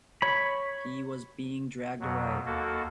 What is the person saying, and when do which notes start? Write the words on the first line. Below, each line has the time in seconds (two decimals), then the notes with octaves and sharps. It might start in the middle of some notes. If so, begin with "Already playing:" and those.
He was being dragged away.
0.22 C#5 B5
2.00 F2 B2 F#3
2.46 D#2 A#3 F#4 A4